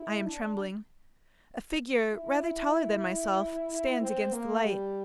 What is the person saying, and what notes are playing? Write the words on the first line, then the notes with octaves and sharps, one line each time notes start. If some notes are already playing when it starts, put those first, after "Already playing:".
I am trembling. A figure rather taller than myself stands against the light.
Already playing: E4
D4
E4
C4
A#3
G3